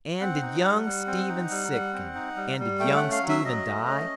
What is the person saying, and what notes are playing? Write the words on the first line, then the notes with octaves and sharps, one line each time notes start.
And did young Stephen sicken, And did young Stephen die?
C4 F#5
D#4
G3
G3
C4
D#4
G3
G3
C4
D#4
G3
G3
A3 G5
F#5
C#4
F5
F#3
E5
F#3 D#5
A3
C#4